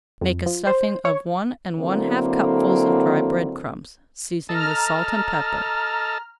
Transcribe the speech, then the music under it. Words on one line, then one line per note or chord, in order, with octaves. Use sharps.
Make a stuffing of one and one-half cupfuls of dry bread-crumbs, seasoning with salt and pepper.
F2
F3
C5
C#5
D3 F#3 A#3 C4 E4 A4
A4 D#5 A5 A#5 F6